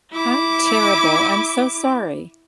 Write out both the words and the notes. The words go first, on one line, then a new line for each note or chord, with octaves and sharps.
How terrible, I'm so sorry.
E4 D6